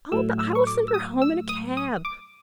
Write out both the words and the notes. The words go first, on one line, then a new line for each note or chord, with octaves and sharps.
'Oh, but I will send her home in a cab.
A2 F#3 A3 E6
E6
C#6
D6
E6
D#6
E6
D#6
D#6
D6